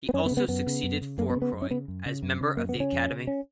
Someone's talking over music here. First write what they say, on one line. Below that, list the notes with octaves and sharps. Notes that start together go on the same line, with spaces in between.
He also succeeded Fourcroy as member of the Academy.
B3
F#2 C#4
B3
C#3
B3
F#2 B3
C#3
F#2
C#3
F#2 A#3
B3
C#3
B3
F#2
C#4
C#3 B3
F#2
C#3
F#2
C#3
F#2 A#3
B3
C#3
C#4
F2
C#3
C#4